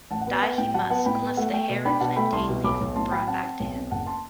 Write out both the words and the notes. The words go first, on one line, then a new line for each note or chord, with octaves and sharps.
Die he must unless the hair and plantain leaf were brought back to him.
A1 F#5 A5
F#5
B3
G5
B3 F#5
A2 G5
F#3 F#5 A5
B3 F#5 A5
A2 G5 B5
B3
A3 F#5
A3 G5
B2
D4 G5 B5
B2 F#5 A5
A3 G5 B5
C2 A5 C6
B2
B1 B5 D6
B1
A2 A5 C6
F#3 G5 B5
C4 F#5 A5
C4
B1
C4
F#1 F#5 A5
A5 C6